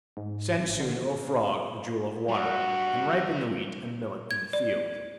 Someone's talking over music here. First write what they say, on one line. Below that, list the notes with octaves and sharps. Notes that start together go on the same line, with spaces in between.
"Send soon, O frog, the jewel of water! And ripen the wheat and millet in the field."
G#2
G#1
D3
G3 D4 F#4
G#6
D5